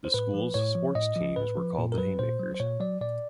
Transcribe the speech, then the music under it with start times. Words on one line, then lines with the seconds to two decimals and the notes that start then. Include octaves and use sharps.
The school's sports teams were called the Haymakers.
0.05 C5
0.14 A2 B4
0.34 F3
0.54 A2 C#5
0.75 F3
0.95 A2 D#5
1.16 F3
1.36 A2 B4
1.57 F3
1.78 A#2
1.92 A#4
1.98 F#3 B4
2.19 A#2 C5
2.40 F#3
2.54 C5
2.60 A#2 C#5
2.80 F#3 D5
3.01 A#2 D5